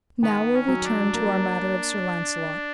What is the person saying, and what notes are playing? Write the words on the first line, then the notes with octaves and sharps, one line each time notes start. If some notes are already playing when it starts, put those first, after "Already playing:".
Now will we turn to our matter of Sir Launcelot.
D#3 B3
C#4
F#3
D4
A#3